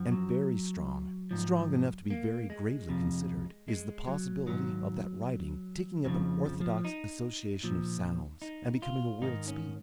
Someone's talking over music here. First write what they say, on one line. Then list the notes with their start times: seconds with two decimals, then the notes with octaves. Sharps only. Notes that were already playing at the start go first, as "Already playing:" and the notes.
And very strong--strong enough to be very gravely considered--is the possibility of that writing taking up an orthodox association of sounds, and becoming a world speech.
Already playing: F#2 F3
0.12 F#3
1.31 G#2 F3
2.10 A#3
2.50 G#3
2.89 F2 C3 F3
3.68 G#3
4.07 F#3
4.46 G#2 D#3 F#3
6.05 F2 C#3 F3 F#3
6.45 F3
6.61 F3
6.85 D#4
7.63 A#2 F3
8.42 D#4
8.82 F4
9.21 G#2 D#3 D#4
9.48 C#4